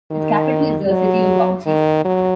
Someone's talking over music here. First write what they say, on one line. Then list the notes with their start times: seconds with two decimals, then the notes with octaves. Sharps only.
Its capital is the city of Bauchi.
0.11 D#3
0.89 F#3
1.66 D#3
2.05 F#3